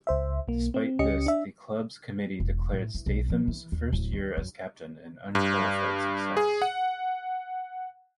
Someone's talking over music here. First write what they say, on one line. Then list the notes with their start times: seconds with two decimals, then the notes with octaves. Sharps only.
Despite this, the club's committee declared Statham's first year as captain "an unqualified success".
0.07 C#2 C5 E5
0.48 B1 A#3
0.74 C4
0.99 C#2 C#4 G4 D#5 C#7
1.26 D4 E5
2.40 E1
2.73 A2
2.94 E3
3.06 B1
3.30 F3
3.48 E3
3.72 D#2
3.93 D1
4.13 D#3
4.37 F#2
5.35 G2
6.37 G#4
6.62 F#5